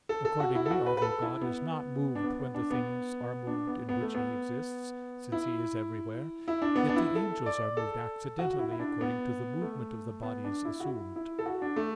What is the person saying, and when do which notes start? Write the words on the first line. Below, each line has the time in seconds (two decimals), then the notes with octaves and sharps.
Accordingly, although God is not moved when the things are moved in which He exists, since He is everywhere; yet the angels are moved accidentally according to the movement of the bodies assumed.
0.09 A4
0.25 A4
0.40 F#4
0.55 E4
0.66 A4
0.71 F#4
0.86 B4
0.97 B4
1.02 A4
1.22 E4
1.42 B3
2.15 D4
2.24 B3
2.40 B3
2.55 D4
2.71 B3
3.47 D4
3.67 B3
3.89 B3
4.02 A3
4.15 B3
5.32 E4
6.48 E4
6.62 D4
6.76 B3
6.89 D4
6.96 E4
7.15 A4
7.46 D5
7.77 A4
8.39 F#4
8.59 E4
8.71 E4
8.79 D4
9.01 B3
9.62 A3
10.23 B3
10.44 D4
10.65 E4
10.80 F#4
10.85 E4
11.16 E4
11.39 A4
11.46 F#4
11.62 D4
11.76 A3